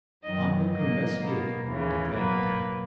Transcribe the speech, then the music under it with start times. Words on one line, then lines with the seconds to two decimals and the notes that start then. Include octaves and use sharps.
"I'm going to investigate," declared Tad.
0.23 F#2 D#3 F#3 D#5
0.71 G#2 F#3 A#3 D#5
1.19 B2 A#3
1.67 D#2 C#3 E3
2.15 B2 F#3 A#3 B4